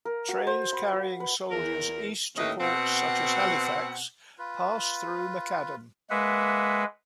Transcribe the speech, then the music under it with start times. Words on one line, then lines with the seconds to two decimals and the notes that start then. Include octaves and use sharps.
Trains carrying soldiers east to ports such as Halifax passed through McAdam.
0.05 A#4
0.29 F#4
0.47 C5
0.73 B5
0.93 F#4
1.20 B4
1.50 E2 A#4
2.36 D#2 A2 C#4 B4 D#5 E5
2.60 B2 C4 F#5
4.38 F4 B4
6.10 G#3 A#3 B4 E5 F#5